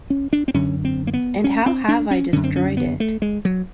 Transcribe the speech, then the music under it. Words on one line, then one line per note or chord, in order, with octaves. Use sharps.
And how have I destroyed it?
C#4
D4
C4
F#2 D3 C#4
C4
A#3
B3
C#4
C4
D4
C#4
F#2 D3 C#4
C4
C#4
B3
A3
G#3
F#3